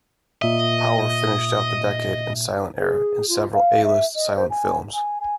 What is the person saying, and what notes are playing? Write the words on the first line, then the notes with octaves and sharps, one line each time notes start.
Power finished out the decade and silent era in several A-list silent films.
A#2 D#5 E5
G#4
F4
F5
E5
D#5
C5
G#5
G#5
G#5